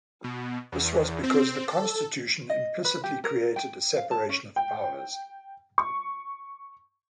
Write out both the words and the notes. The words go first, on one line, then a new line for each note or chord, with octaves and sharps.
This was because the Constitution implicitly created a separation of powers.
B2
E2
C4
A4
D#5
B4
G4
A#4
G5
F5
A5
C#4
G5
C#6